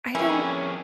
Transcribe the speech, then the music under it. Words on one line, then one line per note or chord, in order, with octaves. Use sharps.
I don't
F2 E3 C#4 G#4 A#4 C#5 G5